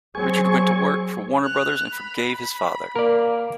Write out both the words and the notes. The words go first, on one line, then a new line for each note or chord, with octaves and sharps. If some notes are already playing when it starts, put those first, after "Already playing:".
Richard went to work for Warner Brothers and forgave his father.
F#3 C4 G#4 G#5 C#6
F#6 F7
B5
A#3 A#4 D5